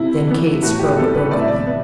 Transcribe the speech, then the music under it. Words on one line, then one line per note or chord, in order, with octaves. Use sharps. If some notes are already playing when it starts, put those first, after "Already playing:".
Then Kate spoke brokenly.
Already playing: C3 E4
E3 B3
A2 F#4
G4
G3 B3 A4
B4
A2 D5
E5
D5
B3